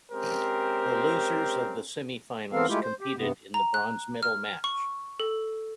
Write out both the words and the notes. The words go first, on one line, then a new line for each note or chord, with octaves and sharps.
The losers of the semifinals competed in the bronze medal match.
G#3 C4 C#4 G4 A#4 C5
E3 B3 C4 A4 A#4 F5
G#3 A3 E4 F4 G4
C5
G4
G2 C3 B3
A#5
F#6
F6
C#6
A4